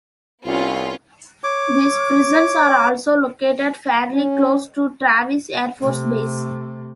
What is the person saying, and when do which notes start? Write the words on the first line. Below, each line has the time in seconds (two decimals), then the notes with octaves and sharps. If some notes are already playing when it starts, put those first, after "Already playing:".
These prisons are also located fairly close to Travis Air Force Base.
0.46 C2 B3 C#4 F4
1.44 C#5 D6
4.14 C#4
5.79 C3 A3